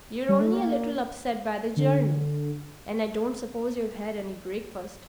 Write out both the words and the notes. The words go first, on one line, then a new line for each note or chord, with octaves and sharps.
You're only a little upset by the journey, and I don't suppose you've had any breakfast.
G3
A3
A#3
D3